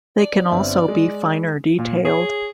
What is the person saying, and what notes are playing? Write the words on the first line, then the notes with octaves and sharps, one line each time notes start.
They can also be finer detailed.
D5
G1 C4 E5
G#3
A#2
G#4 C#5